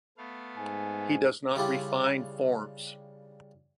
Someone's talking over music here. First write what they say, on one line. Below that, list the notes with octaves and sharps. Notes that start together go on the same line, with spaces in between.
He does not refine forms.
A3 B3 F5
G#2 G#5
C#3 G3 D4 E4 F4 G4